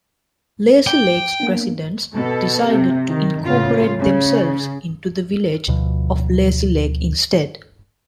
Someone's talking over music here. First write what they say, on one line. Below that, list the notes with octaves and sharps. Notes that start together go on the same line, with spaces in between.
Lazy Lake's residents decided to incorporate themselves into the Village of Lazy Lake instead.
G5 D6
A#3 B3 D4
B2 A4
C3
D#3
A2 C#3 F4
C#3
D2 B2 F3